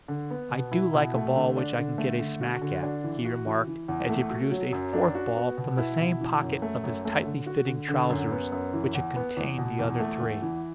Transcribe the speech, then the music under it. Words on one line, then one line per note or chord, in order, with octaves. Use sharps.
"I do like a ball which I can get a smack at," he remarked as he produced a fourth ball from the same pocket of his tightly-fitting trousers which had contained the other three.
D3
B3
B2
E4
B2
A3
D3
D4
D3
A3
D3
F#4
D3
D4
E3
F#4
E3
E3
E2
A3
F#4
F#3
F#2
D4
F#4
B3
B2
E4
B2
E3
F#2
A3
F#2
A3
D3
F#4
D3
D3
F#2
B3
F#2
E3
E2
B3
E2
B2
E2
A3
E2
E3